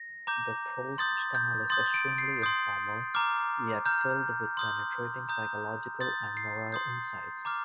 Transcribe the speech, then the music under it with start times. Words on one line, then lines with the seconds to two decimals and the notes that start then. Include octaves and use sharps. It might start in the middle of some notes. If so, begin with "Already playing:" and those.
The prose style is extremely informal, yet filled with penetrating psychological and moral insights.
Already playing: A#6
0.27 A#5 D6 G6
0.98 C6 D#6 G6 A6
1.35 G6
1.70 C6 D#6 G6 A6
1.94 D7
2.18 C7
2.42 C6 D#6 G6
3.14 A#5 D6 F6
3.85 A#5 F6 G6
4.57 C6 D#6 G6
5.29 A#5 D#6 G6
6.01 C6 D#6 G6 A6
6.37 C7
6.72 C6 D#6 G6
7.45 A#5 D6 F6